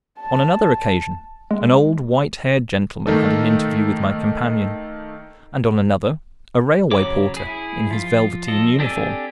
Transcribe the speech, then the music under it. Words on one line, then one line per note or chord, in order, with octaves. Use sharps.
On another occasion an old white-haired gentleman had an interview with my companion; and on another a railway porter in his velveteen uniform.
A5
G#3
D#3 A3 A#3 D#4 A4
C#3 F#3 C#5 D6
E4 G#4
F3 F4
F3 A4 D#5
C4 D4 G4 A4 G#5